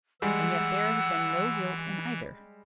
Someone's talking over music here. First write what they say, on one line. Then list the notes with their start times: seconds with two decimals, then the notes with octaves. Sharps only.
And yet there had been no guilt in either.
0.22 E3 G3 G#3 F#5 E6